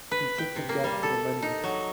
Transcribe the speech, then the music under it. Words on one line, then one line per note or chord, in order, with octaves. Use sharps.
He took the job for the money.
B4
G5
C3
A#3
G3
A4
D#4
F#3